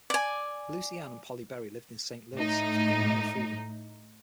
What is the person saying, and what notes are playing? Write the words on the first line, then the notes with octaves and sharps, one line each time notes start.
Lucy Ann and Polly Berry lived in Saint Louis after gaining her freedom.
D5 G#5
A2 D#4